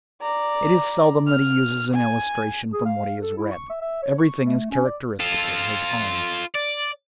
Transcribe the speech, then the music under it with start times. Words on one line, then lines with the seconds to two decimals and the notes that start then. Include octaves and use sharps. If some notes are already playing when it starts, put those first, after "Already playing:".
It is seldom that he uses an illustration from what he has read; everything is, characteristically, his own.
0.21 D5 A#5
1.27 F6
1.94 G#5
2.73 G#4
2.86 F5
3.22 A4
3.37 E4
3.51 C#6
3.69 E5
3.81 E5
4.03 C#5
4.18 C#6
4.47 A3
4.71 C#4
4.85 D5
5.20 F4 A4
6.55 D5